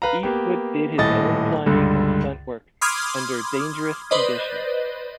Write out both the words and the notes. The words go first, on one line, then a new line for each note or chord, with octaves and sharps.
Eastwood did his own climbing and stuntwork under dangerous conditions.
B4 F5 A#5
A#3 B3 G4
D#1 A2 D#5 A6
C#2 G2 D3
B5 C6 D6 D#6 F6 G#6
B4 C5 D5 D#5